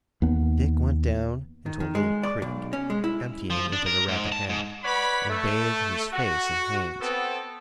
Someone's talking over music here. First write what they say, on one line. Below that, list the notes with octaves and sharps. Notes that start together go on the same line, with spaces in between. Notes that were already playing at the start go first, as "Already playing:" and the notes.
Dick went down into a little creek, emptying into the Rappahannock, and bathed his face and hands.
D#2 B3
D#3
D#3
G#3
D5
B1
C#4
G#3
E4
F3
D4
A#4
G#2
A5
G#2
B4 C#5 D5 F#5 B5
A3
F#4
B3 C4 A4